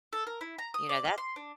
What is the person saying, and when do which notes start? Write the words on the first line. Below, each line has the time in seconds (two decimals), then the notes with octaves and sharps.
You know, that
0.13 A4
0.27 A#4
0.41 E4
0.58 A#5
0.74 D#6
0.89 D5
1.05 F5
1.18 C6
1.36 D4